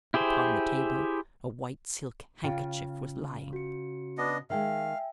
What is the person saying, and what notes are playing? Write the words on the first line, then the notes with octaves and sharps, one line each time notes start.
Upon the table a white silk handkerchief was lying.
E4 G4 G#4 C5
C#3 F4 G5
F#4 C#7
B3 D4 D#5
D#3 G#3 E5 F5 G5 G#5